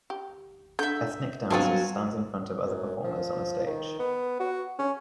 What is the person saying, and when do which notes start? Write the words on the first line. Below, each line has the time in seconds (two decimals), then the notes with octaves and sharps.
Ethnic dancer stands in front of other performers on a stage.
0.10 G4
0.79 D3 E5 G6
1.50 F#3 B3 C4 D4 F4 G#5
2.65 F#2
3.04 F3
3.66 D#3
3.99 B3
4.39 F#4
4.79 C#4